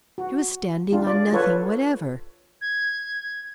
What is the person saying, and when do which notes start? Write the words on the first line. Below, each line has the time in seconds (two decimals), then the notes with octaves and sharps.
She was standing on nothing whatever!
0.18 F#4
0.91 D4 F4 G4
1.04 F4 D5
1.33 F4 A4 B4 C#5
2.61 G#6